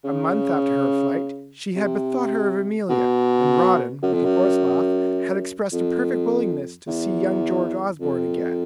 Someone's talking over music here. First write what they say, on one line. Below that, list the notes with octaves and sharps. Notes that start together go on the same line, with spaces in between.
A month after her flight, she had bethought her of Amelia, and Rawdon, with a horse-laugh, had expressed a perfect willingness to see young George Osborne again.
C#3
C3
B2
F#2
F2
F#2
F2
E2
F2